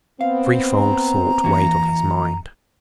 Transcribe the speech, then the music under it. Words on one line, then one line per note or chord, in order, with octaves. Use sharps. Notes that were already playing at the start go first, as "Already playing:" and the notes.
A threefold thought weighed on his mind.
B3 C4 F5
A#5
E3 A#3 F#4